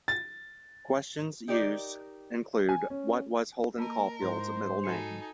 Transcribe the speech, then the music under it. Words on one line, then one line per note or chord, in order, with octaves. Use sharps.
Questions used include What was Holden Caulfield's middle name?
A6
D#4 G4 A#4 D5
G#5
C#4
A#3 A#4 A5 A#5
G#2 E4 C5
D#4 F#4 A4 G#5 C7 C#7